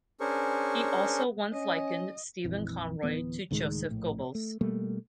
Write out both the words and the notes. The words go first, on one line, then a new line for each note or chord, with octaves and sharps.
He also once likened Stephen Conroy to Joseph Goebbels.
C#4 D4 G#4 A#4 C5 C#6
C#4 D#5
A#1 F2 E3
D1 E3 B3
C#2 A2 D#3 G#3
A#1 A2
A3
B2 G3 A3 A#3